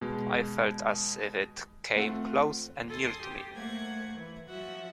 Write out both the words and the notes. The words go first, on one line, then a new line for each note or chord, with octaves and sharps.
I felt as if it came close and near to me.
B2 G#3
A3 C4 F4 F#5
A4 G#5 C6 D#6
G4 G5
A3 A#3 C5 F#5 G#6
E3
F3 F#4 E5 F#5